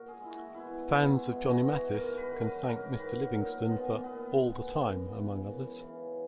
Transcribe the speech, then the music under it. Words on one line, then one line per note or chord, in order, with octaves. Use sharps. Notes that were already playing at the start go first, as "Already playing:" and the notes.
Fans of Johnny Mathis can thank Mr. Livingston for All The Time among others.
Already playing: A#2 F#4 A#4
G#4
G#3 E4
F#4
B2 E4
G#3 E4
B2 E4
F#4
G#3
G#2 A#4
B4
D#3 F#3
B4
G#2 A#4
D#3 F#3 B4
A#2 A#4
G#3 B3
A#2 B3
G#3
F#2
C#3 E3
F#2
C#3 E3